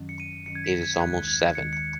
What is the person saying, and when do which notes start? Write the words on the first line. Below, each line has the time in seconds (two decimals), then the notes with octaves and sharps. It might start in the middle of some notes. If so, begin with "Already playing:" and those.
It’s almost seven.
Already playing: F#2 D#3 F#3 C#4
0.09 C#7
0.20 D#7
0.46 F#2 D#3 F#3 C#4 C#7
0.55 G#6
0.64 B6
0.83 G#6
1.01 D#2 D#3 G#3 F#6
1.28 G#6
1.55 D#2 D#3 G#3 C#7
1.73 C#7